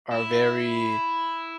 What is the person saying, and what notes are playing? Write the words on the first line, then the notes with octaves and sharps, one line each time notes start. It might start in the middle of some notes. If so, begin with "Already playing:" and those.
are very
E4